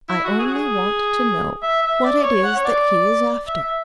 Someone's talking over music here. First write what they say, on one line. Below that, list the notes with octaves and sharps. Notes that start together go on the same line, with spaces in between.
I only want to know what it is that he is after.
E4
F#4
G#4
F#4
G#4
E5
E5
D5
C#5
F#5
C#5
D5
E5
E5